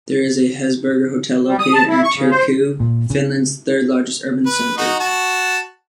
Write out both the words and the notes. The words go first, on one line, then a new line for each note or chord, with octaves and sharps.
There is a Hesburger Hotel located in Turku, Finland's third largest urban centre.
G3
D#6
A5
E4
C#6
C#3
C5
A#2
C#3
B4
D#4 F#4
F#4 A5